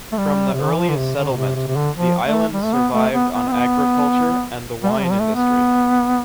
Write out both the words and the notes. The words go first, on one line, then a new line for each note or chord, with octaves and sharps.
From the earliest settlement, the island survived on agriculture and the wine industry.
A3
G3
C3
D3
E3
F3
D3
C3
D3
B2
C3
C3
C3
D3
F3
A3
G3
A3
B3
A3
B3
B3
C4
B3
G3
A3
G3
F3
G3
A3
B3